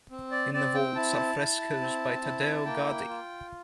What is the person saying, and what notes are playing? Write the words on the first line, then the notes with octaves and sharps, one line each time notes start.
In the vaults are frescoes by Taddeo Gaddi.
C4
D5
C4 D5
G5
E4 A5
E4
C4
E4
A#3 G5
F4